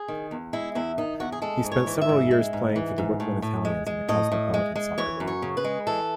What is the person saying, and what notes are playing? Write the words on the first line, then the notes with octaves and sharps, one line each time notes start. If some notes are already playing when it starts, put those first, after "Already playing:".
He spent several years playing for the Brooklyn Italians in the Cosmopolitan Soccer League.
Already playing: G#4
D#3
E2
G#3 E4
E2 E4
D#3 D#4
E2 F#4
G#4
G#3 A4
G#2
C#5
E3
E5
G#2
G#3
G#2
E3
G#2
A2
A2
G#3
G#3
A2 D#5
A2
G#3
G#3
E3 C#5
F#2
C#5
C#3
B4
G#3
E3 A4